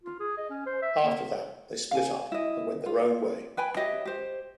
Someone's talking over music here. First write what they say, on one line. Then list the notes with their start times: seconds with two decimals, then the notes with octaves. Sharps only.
After that they split up and went their own way.
0.04 F4
0.20 G#4
0.37 D#5
0.50 C#4
0.66 C5
0.82 E5
1.04 A#3
1.91 F5 G#5
2.32 E4 D#5
2.86 F4
3.57 B4 G5 G#5 B5
3.76 G4 C#5 D#5 E5
4.05 G4 C5